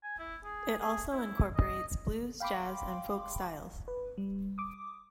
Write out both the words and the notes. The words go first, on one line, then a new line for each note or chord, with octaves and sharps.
It also incorporates blues, jazz, and folk styles.
G#5
E4
G#4
G#4
E4
D#5
F5 G5 B5 C6 D6
B4
G3
D6 D#6